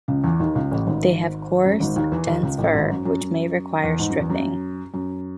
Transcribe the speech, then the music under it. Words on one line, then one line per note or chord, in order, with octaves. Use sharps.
They have coarse, dense fur which may require stripping.
C#2 C#3
E2 E3
D#2 D#3
C#2 C#3
A1 A2
G#1 G#2
F#2
G#1 G#2
D#2 D#3
E2 E3
D#2 D#3
C#2 C#3
A1 A2
G#1 G#2
F#2
F#2
F#2
E2
G#2
F#2
E2
F#2
F#2